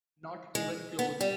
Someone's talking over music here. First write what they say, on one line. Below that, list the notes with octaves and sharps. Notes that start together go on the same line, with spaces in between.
Not even close.
G#3
B3
G3